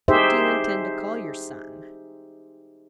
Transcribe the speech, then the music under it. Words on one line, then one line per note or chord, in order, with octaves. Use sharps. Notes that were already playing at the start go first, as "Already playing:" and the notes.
"What do you intend to call your son?"
D#4 G4 G#4 C5 E5